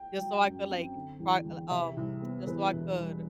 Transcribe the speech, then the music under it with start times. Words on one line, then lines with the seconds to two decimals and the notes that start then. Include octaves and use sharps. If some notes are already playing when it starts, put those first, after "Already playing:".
Just so I could, like, pro l um, just so I could
Already playing: G5
0.19 F#3
0.44 F#2
0.70 C4
0.95 D3
1.20 E2
1.46 E2
1.70 C3 E5
1.97 C2
2.22 B3
2.47 E2 B4
2.73 E1
2.97 G3